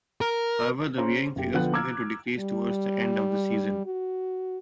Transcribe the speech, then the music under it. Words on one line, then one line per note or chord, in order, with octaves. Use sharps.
However, the viewing figures began to decrease towards the end of the season.
A#4
C#4 G#4 C5 A#5 C6
F#1 G4
D3 F3 B3 F#5 G5 F#6
A#5 D6 E6 F6 G#6
G3
F#4